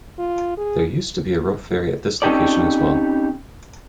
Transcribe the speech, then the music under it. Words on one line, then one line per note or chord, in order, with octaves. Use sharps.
There used to be a rope ferry at this location as well.
F4
G#4
C4 C#4 D#4 G4 A4 D5